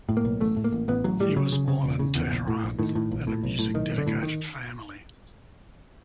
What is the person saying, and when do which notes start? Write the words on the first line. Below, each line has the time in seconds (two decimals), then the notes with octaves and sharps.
He was born in Tehran in a music-dedicated family.
0.09 A2
0.17 A#3
0.25 B1
0.41 A1 A3
0.57 A2
0.64 A#3
0.73 A1
0.88 A1 B3
1.04 A1 F#3
1.20 A2 G3
1.36 C#3 F#3
1.52 C#3
1.68 C#3
1.84 E1
1.99 C#3
2.15 E2
2.32 A#1
2.48 A2
2.63 A#1
2.79 A2 D#3
2.95 A2
3.11 A#1
3.27 A2
3.43 B1
3.59 A2
3.74 B1 D#3
3.91 B1
3.98 D3
4.07 A2
4.23 D#3